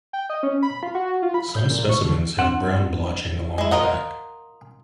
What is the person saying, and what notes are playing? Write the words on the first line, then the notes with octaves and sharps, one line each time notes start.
Some specimens have brown blotching along the back.
G5
D#5
C#4
B5
F4
F#4
F4
B5
G6
A#2
C#6
D3
C4 D4 F#5
G#3 E4
F4 A#4 D#5 F#5